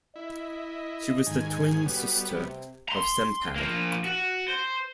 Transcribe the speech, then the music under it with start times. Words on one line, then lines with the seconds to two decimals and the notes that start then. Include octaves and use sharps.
She was the twin sister of Sempad.
0.16 E4 D#5
1.27 G#2 D#3 G#5
1.86 F#3 G3 B3
2.37 C3
2.89 A#5 C6
3.56 F3 A#3
4.04 F#4
4.48 C5